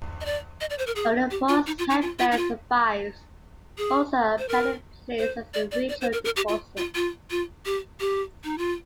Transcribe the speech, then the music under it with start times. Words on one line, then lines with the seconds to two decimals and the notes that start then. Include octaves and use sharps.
Only the boar's head bell survives, also apparently placed as a ritual deposit.
0.21 D#5
0.25 D5
0.61 D#5
0.70 D5
0.78 C5
0.87 A#4
0.96 G#4
1.31 G4
1.48 F4
1.67 D#4
1.78 F4
1.90 D#4
2.02 F4
2.19 F4
2.32 D#4
2.37 F4
3.78 G#4
4.38 C5
4.48 A#4
5.19 C5
5.54 D5
5.71 D5
5.89 D5
6.01 C5
6.13 A#4
6.25 A#4
6.36 G4
6.48 F4
6.77 F4
6.95 F4
7.31 F4
7.65 G4
8.00 G4
8.44 D#4
8.58 F4